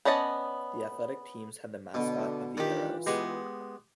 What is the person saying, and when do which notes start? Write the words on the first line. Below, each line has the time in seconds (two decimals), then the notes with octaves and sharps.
The athletic teams had the mascot of the Arrows.
0.05 B3 C#4 D5 D#5 A5
1.94 B2 D3
2.57 D#3 E3 D4 F4 G4
3.06 G#3 B3 G4